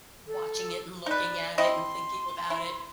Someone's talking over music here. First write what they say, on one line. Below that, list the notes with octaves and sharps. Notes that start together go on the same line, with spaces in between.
watching it and looking at it and thinking about it,
A4
D#4 B4 D5
C4 E4 D#5 C6
E4